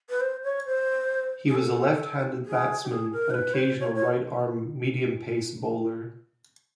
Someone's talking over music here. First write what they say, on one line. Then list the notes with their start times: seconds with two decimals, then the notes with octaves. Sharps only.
He was a left-handed batsman, and occasional right-arm medium-pace bowler.
0.10 B4
0.20 C5
0.44 C#5
0.66 C5
1.48 G#4
1.55 A4
2.46 G#4
2.84 G4
2.90 G#4
3.12 A#4
3.30 C5
3.34 B4
3.54 C#5
3.58 C5
3.80 C#5
3.95 C#5